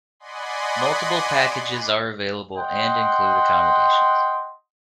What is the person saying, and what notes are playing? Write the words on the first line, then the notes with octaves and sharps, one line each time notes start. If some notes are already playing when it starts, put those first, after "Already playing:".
Multiple packages are available and include accommodations.
D5 D#5 F#5 G#5 B5 C6
D#5 F#5 G5 C6